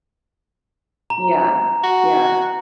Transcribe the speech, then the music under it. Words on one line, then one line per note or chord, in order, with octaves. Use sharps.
Yeah. Yeah.
A#5
F#4